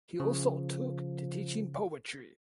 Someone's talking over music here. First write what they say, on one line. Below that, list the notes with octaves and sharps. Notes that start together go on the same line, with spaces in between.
He also took to teaching poetry.
C#3 F3